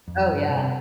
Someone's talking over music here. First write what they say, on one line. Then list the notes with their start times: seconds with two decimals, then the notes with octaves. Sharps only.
Oh, yeah.
0.08 F2
0.28 G2
0.49 C3